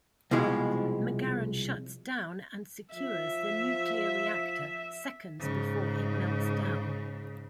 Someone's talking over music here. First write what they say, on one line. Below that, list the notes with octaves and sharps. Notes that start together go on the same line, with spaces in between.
McGarren shuts down and secures the nuclear reactor seconds before it melts down.
C2 B2 F3 G#3 E4
F3 E5
G#2 C#3